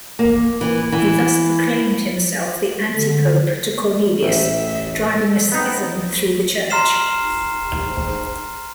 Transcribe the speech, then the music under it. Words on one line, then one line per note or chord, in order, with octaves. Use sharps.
He thus proclaimed himself the antipope to Cornelius, driving a schism through the church.
A#3
E3
E3
D3
A1 E5
A4
B3 C4 D#4
A#5 C6 F6 C7 E7